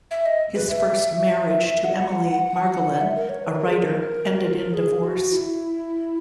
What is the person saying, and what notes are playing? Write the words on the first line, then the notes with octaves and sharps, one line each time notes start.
His first marriage to Emily Margolin, a writer, ended in divorce.
E5
D#5
B4
E5
F#5
E5
A#4
C#5
B4
A#4
G#4
A#4
G#4
F#4
E4